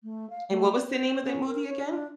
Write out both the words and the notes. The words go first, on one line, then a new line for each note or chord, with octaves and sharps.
And what was the name of that movie again?
A3
F5
A3
D5
C5
C#4
A#4
C#5
D4